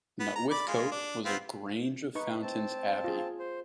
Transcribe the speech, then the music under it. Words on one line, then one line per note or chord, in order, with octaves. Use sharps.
Nutwith Cote was a grange of Fountains Abbey.
B3
A#5
D5 B5
G#3 F4
D4
B3 C4 F4
D#4 B4 C#6
C4 A5
F4 G#4
C5